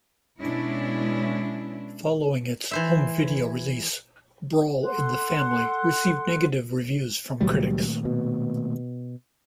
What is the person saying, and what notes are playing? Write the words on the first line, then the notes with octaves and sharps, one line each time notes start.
Following its home video release, "Brawl in the Family" received negative reviews from critics.
B2 G#3 C#4 D4 E4
E3 C5 E5
A4 F#5 C6 F#6
C#2 A#2 D#3 F#3 G3 A3
B2